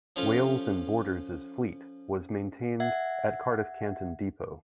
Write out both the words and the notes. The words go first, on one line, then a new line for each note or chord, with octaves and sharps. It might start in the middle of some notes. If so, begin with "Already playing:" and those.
Wales and Borders's fleet was maintained at Cardiff Canton depot.
F3 C#4 F4 A4
E5 F#5 G#6